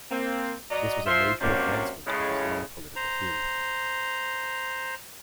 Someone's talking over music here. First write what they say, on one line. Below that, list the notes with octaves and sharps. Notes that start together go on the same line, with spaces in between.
This was a major advancement of Islamic political theory.
A#3 C4
F#3 D5 D#5 A#5
F3 E5 C6
C3 F#3 G3 A#3 C#4 D4
A2 C#3 G#3
C5 A#5